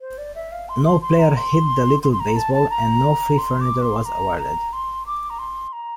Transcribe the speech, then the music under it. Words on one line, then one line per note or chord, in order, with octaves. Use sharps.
No player hit the little baseball, and no free furniture was awarded.
C5
D5
E5
F5
C6
C6
C6
A#5
C6
C6
C6
A#5
A5
A5
A#5
C6
D6
C6
A#5
A#5
C6
D6
A#5
C6
A#5